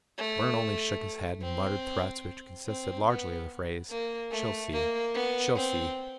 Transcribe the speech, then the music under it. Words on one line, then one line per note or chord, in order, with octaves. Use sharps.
But Burne only shook his head and muttered threats which consisted largely of the phrase: "She'll see, she'll see!"
A3
C4
C4
B3
A#3
A3
A#3
B3
C4